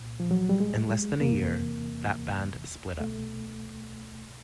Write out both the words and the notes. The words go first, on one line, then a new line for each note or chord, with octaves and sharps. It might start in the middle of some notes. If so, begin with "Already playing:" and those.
In less than a year, that band split up.
Already playing: C2 A#2
F3
F#3
G3
G#3
G#3
E2 C3 E3 A#3
C2 B2 A3